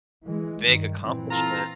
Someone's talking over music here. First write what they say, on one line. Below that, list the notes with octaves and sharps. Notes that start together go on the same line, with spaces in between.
big accomplishment.
E3 G#3
G2 D#3
A#2 E3 C4
F4 A4 A#5